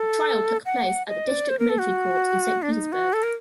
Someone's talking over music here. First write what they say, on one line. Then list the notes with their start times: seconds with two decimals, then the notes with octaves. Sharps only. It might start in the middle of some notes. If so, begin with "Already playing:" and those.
The trial took place at a district military court in St.Petersburg.
Already playing: A4
0.65 F#5
1.08 D#5
1.28 D5
1.49 C5
1.59 A#4
1.70 A4
1.80 F#4
2.62 D4
2.72 D#4
2.92 F#4
3.13 A4
3.23 A#4